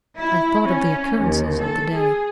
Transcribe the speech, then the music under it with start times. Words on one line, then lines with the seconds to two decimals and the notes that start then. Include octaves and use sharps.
I thought of the occurrences of the day.
0.18 E4
0.64 C#4
1.19 D#2
1.60 A4
1.93 G#4